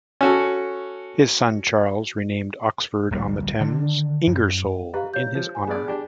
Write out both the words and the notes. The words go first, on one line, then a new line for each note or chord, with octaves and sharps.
His son Charles renamed Oxford-on-the-Thames "Ingersoll" in his honor.
C#4 F#4 A4
D1 A#1 G3
D3 D#3 D4
F#2
G4 B4 E5 F5 A#5
G4 C#5 G6
F3
G#5
B3 D4 G#4 D5
D4 G4 G#5